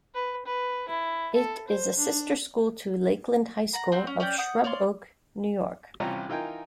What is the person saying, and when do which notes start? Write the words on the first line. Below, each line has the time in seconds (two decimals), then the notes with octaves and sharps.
It is a sister school to Lakeland High School of Shrub Oak, New York.
0.15 B4
0.46 B4
0.89 E4
1.35 A4
1.68 C5
1.98 D4
3.73 F#5 A#5
3.92 C4 F#4 G4
4.07 C#4
4.20 C#4 D5 G5 G6
4.38 F#5 D#6 G6
4.64 C#5 D5 F5 C6
6.00 A1 C3 G3 C#4 F4 A#5
6.29 E3 D#4 F4 A#4 G5 G#5